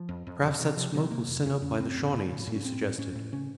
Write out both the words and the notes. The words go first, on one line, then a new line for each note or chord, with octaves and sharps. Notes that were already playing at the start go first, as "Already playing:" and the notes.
"Perhaps that smoke was sent up by the Shawnees," he suggested.
Already playing: F3
F2
F2
C3
C3 D#3
C3 F3
C3 F#3
C3 A#3
F2
F2 C#4
F2 C#4
F2 C4
A2
A2
A2
A2
C#4
A2 C4
A2
A2 C#4
A2
C#3 C#4